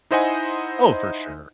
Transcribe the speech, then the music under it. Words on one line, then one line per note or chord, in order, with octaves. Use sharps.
Oh, for sure.
D#4 E4 C5 D#5 F#5 G#5